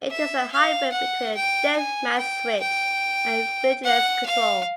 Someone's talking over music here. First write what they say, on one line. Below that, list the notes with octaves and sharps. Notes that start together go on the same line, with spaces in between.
It is a hybrid between a dead-man's switch and a vigilance control.
E5
F5
F#5
G5
G#5
G5
G5
F#5
F5